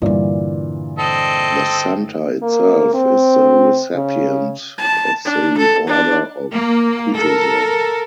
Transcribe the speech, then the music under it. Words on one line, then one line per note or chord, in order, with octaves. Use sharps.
The Center itself is the recipient of the Order of Kutuzov.
G2 A#2 D3 E3 D5
C4 A4 D#5
A#3
C4
C#3
A5
D4
A4
D4
A#3
A4 A#4